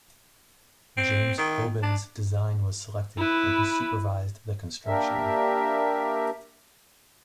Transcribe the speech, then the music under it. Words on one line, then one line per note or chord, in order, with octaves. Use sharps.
James Hoban's design was selected, and he supervised the construction.
C4
D#3
D4
E4 B4
A#3 D4 G4 A#4 E5